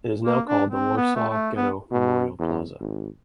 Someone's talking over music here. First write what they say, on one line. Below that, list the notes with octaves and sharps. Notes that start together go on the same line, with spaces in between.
It is now called the Warsaw Ghetto Memorial Plaza.
A#3
D4
C4
B3
A3
A3
B3
B2
E2
G#1